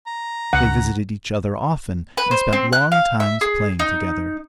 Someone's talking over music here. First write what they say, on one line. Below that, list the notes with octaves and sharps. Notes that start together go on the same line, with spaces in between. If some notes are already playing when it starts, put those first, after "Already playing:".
They visited each other often and spent long times playing together.
A#5
C#2 F#5
B4
C5
C4
F#6
F5
E5
G#4
D#4